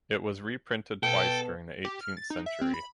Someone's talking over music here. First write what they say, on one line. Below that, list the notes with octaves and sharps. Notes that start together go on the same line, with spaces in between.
It was reprinted twice during the eighteenth century.
B2 B3 A4 G5
G4
F6
A6
D#4
E5
C4
B5